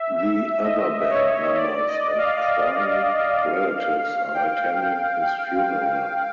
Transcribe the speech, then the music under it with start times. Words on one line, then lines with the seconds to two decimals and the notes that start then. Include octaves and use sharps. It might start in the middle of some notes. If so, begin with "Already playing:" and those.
The other band members and crying relatives are attending his funeral.
Already playing: E5
0.18 E5
0.63 D#5
1.10 C#5
1.57 D5
1.88 D#5
2.18 F5
4.34 G5